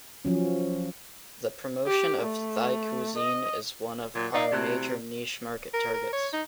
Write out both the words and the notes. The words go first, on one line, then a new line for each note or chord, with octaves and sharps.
The promotion of Thai cuisine is one of our major niche-market targets.
F3 F#3 C#4
G4
A3
D#5
A#2 F#3
D#4 D5 D#5 F5
C3 A3 E4 F#4
A#4
A#4
C#5
D#4